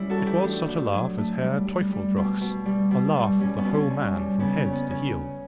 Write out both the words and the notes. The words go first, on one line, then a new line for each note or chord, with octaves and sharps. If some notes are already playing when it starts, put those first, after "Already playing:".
It was such a laugh as Herr Teufelsdrockh's--a laugh of the whole man from head to heel.
Already playing: G3 C#4 E4
F#4 A4
E3
E4 G4
A2 D4 F#4
A2
F#3
A3
G3
G3
G3
B2
B2
G3
B2
G3
G3 C#4
B3
B2
C#4
G3
G3
C#3 B3
C#4
C#3
B3
C#3 C#4